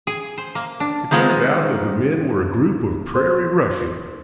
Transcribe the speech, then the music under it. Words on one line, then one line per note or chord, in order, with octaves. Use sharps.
It turned out that the men were a group of prairie ruffians.
G#4
C5
A#3
D4
D#3 G#3 B3 F4 C5
C5 C6